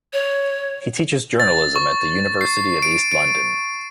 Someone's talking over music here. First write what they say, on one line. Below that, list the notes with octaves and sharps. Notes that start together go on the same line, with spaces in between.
He teaches journalism at the University of East London.
C#5
A6
C#6
C7
D7
D7